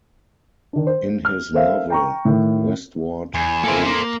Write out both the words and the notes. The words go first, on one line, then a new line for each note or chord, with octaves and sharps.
In his novel Westward Ho!
D#3 D4
C5
F6
A4 A#4 C5 E5 F5
G5 A#5 C#6
A2 D#3
E2 G#5
A#3 E4 A4 C5
A#3